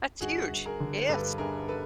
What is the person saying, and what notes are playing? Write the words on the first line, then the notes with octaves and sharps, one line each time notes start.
That's huge. Yes.
G1 F#4 G#4
G1
G#4 A#4
D3
G2 A4 B4
G1 G#4 A#4
A4 B4